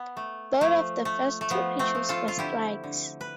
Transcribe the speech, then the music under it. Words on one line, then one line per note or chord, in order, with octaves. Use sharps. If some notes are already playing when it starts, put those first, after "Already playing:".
Both of the first two pitches were strikes.
Already playing: B3
A3
F3 A3
A3
A3
F3 B3
A3 C4
F3
F4 A4
F4
D3 E4 G4
D3
B4